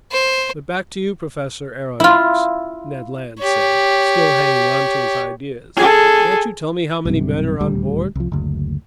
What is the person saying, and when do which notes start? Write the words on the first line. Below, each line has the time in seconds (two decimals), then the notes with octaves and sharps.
But back to you, Professor Aronnax," Ned Land said, still hanging on to his ideas. "Can't you tell me how many men are on board?
0.12 C5
2.00 E4 F4
3.39 G4 C#5
5.76 G#4 A4
7.05 B1 G2 C3
7.61 D#1 D2 G3
8.15 C2 F3
8.32 F#1 D2